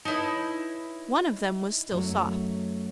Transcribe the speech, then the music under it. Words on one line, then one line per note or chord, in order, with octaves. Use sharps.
One of them was still soft.
D#4 E4 B4 C#5 A5
F#2 F#3 A3